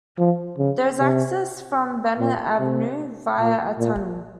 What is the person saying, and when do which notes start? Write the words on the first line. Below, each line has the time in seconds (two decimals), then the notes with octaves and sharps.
There is access from Bennett Avenue via a tunnel.
0.18 F3
0.58 C#3
0.99 C3
2.19 A#2
2.59 C3
3.39 A#2
3.78 A#2